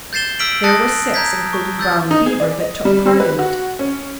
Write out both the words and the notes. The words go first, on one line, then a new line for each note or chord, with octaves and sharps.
There were six, including Brownie Beaver, that took part in it.
G6 A6 C7 E7 G7
E6 F6 B6 D7 F#7
A5 D#6 F#6 A6 A#6 C#7
A#5 G6 G#6 B6
C#6
E6 G6 A6
D#4
G#4
D5
D#5
G3
G3
B4
F#4
C#4